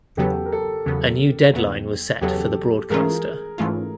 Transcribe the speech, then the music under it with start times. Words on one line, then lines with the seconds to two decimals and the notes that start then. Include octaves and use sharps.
A new deadline was set for the broadcaster.
0.17 E2 C#3 F#3 B3 G4 A4
0.46 A#4
0.52 G4 A4
0.86 E2 C#3 F#3 B3
1.54 E2 C#3 F#3 B3
2.21 E2 C#3 F#3 B3 G4 A4
2.90 G#2 E3 A3 C#4 F4 G#4 A#4
3.58 G#2 E3 A3 C#4 F4